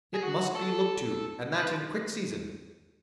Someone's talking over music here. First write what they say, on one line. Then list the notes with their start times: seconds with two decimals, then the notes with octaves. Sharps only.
It must be looked to, and that in quick season.
0.14 G#4
0.23 F#4
0.55 A4
1.54 B4